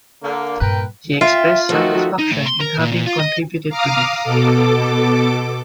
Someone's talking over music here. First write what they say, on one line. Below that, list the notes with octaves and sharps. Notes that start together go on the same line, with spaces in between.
He expressed satisfaction in having contributed to this.
D3 A#3
G2 A#2 A#4 B4 G5
F4 E5 G5
D#3 F3 A3 F#4
D#4
A2
C6
A#4
A#2
A#2
F4
D#5
F5 A#5 D6 D#6 F6
B2 A4 D6